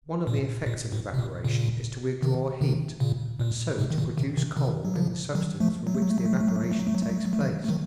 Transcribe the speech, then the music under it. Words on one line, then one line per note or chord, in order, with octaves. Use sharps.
One of the effects of evaporation is to withdraw heat, and so to produce cold in the substance from which the evaporation takes place.
A#2
A#2
A2
C3
A#2
A#2 C#3
C3 D#3
C3 D#3
A#2 C#3
A#2
A2 C3
D#3
A#2 C#3
C3 D#3
C3 D#3
C3 D#3
F#3
C#3 F3
D#3 F#3
F3 A3
F#3
A3
F#3
A3
F#3
A3
F#3
A3
F#3
A3
F#3
A3
F#3
A3
F#3
A3
F#3
A3
F#3
A3
D#3 F#3
A3
D#3 F#3